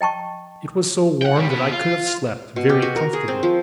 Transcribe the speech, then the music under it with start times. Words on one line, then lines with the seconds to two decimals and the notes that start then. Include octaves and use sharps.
It was so warm that I could have slept very comfortably.
0.01 D#5 G5 A5 C#6
1.22 F#5 G5
1.36 G#2 G3
1.50 B2 B3
1.71 F4
2.56 B2
2.69 G4
2.82 F#4
2.96 A#4
3.13 G#4
3.28 C4
3.43 F3